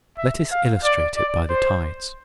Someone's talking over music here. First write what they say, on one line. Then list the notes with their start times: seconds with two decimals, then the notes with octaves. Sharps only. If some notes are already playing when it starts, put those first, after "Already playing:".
Let us illustrate it by the tides.
0.18 E5
0.52 F5
0.84 D5
1.17 D5
1.49 C5